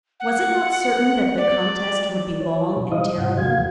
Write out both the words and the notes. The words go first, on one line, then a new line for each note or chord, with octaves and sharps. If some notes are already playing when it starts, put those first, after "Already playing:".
Was it not certain that the contest would be long and terrible?
F#5
D5
E4 C#5
B2
E4 C5 D#5 F5 D#6
G3
G#2 C3 F#5
E2 D3 F3 F#4 F5 G#6